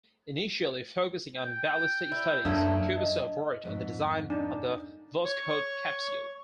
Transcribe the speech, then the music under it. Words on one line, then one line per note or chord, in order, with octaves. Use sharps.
Initially focusing on ballistic studies, Kubasov worked on the design of the Voskhod capsule.
G5
E4
F#2 A3 A#3 D4
D#5
F2 G#2 A3
D4 D#4
C#5 C#6